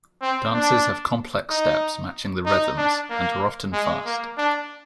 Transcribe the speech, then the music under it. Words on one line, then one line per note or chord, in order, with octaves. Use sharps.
Dances have complex steps matching the rhythms, and are often fast.
C4
D4
D#4
D#4
D4
A#3
G#3
A#3
D4